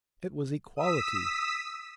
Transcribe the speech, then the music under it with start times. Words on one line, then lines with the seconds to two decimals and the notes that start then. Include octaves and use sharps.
It was equality.
0.75 D#6 E6 B6